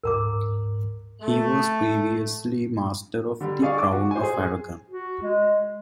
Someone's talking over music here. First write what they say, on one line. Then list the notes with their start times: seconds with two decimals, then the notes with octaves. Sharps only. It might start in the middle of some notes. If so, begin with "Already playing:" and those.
He was previously Master of the Crown of Aragon.
0.04 D2 G#2 A#4 A#5 D6
1.22 A3
3.41 D3 G3
3.62 G#4 D5 F5 C#6
3.78 D6
3.92 F#4
4.11 C5 G#5
4.23 G#4
4.90 F#4
5.22 G#3